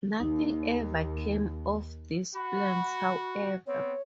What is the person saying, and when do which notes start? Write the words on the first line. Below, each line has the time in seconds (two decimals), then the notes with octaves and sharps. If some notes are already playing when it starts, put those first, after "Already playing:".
Nothing ever came of these plans, however.
0.20 D#2 D#4
2.35 F#4 B5
3.67 B3 C4 C#5